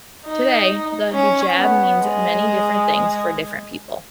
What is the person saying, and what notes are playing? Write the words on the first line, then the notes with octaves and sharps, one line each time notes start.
Today the hijab means many different things for different people.
D#4
C#4
B3
G#3